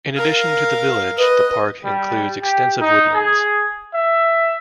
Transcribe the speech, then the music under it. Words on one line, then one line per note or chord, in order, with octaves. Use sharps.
In addition to the village, the park includes extensive woodlands.
A#4 F5
B4 D#5
G3
G4
D#4
G#4
E5